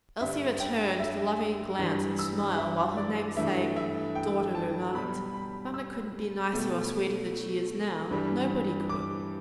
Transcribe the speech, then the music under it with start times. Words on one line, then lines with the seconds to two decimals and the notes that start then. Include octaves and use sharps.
Elsie returned the loving glance and smile, while her namesake daughter remarked, "Mamma couldn't be nicer or sweeter than she is now; nobody could."
0.21 G2 D3 G3 E5
0.60 G5
0.99 E5
1.79 G2 E3 G3
2.19 E6
2.58 E5
2.97 D5
3.37 G2 E3 A3 E5
3.76 E5
4.15 G5
4.55 A5
4.94 B2 G3 B5
5.34 B5
5.74 E6
6.53 B2 A3
8.11 G2 E3 G3
8.89 D6